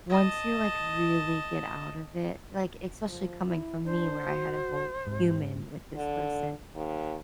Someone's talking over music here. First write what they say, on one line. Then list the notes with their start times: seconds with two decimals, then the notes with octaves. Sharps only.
once you, like, really get out of it, like, especially coming from me, where I had a whole human with this person,
0.10 D#5 A5
3.08 F3
3.47 E4
3.85 D4 C5
4.28 F#4
5.07 G#2 C3
5.96 D3
6.75 D#2